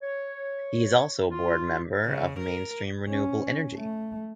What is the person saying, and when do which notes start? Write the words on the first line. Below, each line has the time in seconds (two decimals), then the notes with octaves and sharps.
He is also a Board Member of Mainstream Renewable Energy.
0.02 C#5
1.31 F4
2.05 C#3
2.39 A#4
3.09 C#4
3.75 A3